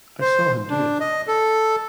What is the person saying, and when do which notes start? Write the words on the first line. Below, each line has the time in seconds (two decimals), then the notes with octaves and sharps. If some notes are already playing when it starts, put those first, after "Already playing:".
I saw him do it.
0.21 C5
0.70 D4
1.01 D#5
1.27 A4